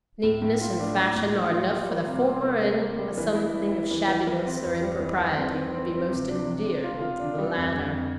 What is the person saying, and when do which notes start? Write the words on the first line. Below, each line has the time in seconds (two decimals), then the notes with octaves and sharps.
Neatness and fashion are enough for the former, and a something of shabbiness or impropriety will be most endearing to the latter.
0.23 A2
0.42 A2
0.61 F4
0.79 D4
0.97 D4
1.16 A2
1.34 G3
1.52 F4
1.71 G3
1.89 A#3
2.07 C3
2.25 C3
2.44 C3
2.63 A#3
2.81 A#3
2.99 G3
3.17 E3
3.35 E4
3.54 E4
3.72 E4
3.91 E3
4.08 E3
4.27 E3
4.46 C4
4.63 F2
4.82 G3
5.00 E3
5.18 E3
5.37 C4
5.55 C4
5.74 C4
5.92 C4
6.11 C3
6.29 D4
6.47 C3
6.66 C3
6.84 F4
7.01 F4
7.20 D4
7.38 G3
7.57 F2
7.75 D3
7.94 F2